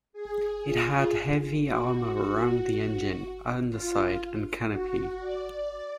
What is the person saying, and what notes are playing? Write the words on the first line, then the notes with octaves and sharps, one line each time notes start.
It had heavy armour around the engine, underside and canopy.
G#4
F4
F#4
F#4
F4
F#4
D5